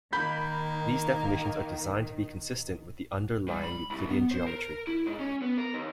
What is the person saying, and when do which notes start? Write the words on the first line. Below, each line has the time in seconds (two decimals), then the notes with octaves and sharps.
These definitions are designed to be consistent with the underlying Euclidean geometry.
0.13 D#3 A#3 B5 G6 B6
3.48 G3
3.64 B5
3.90 C2
4.10 B3
4.31 C5
4.47 A#4
4.87 E4
5.06 G#2
5.19 C#4
5.42 B3
5.58 A#4
5.74 D#2